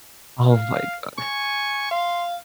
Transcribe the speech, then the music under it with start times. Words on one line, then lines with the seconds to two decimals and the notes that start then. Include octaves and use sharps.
Oh my god.
0.51 F5
1.18 G#5 C#6
1.91 F5 C6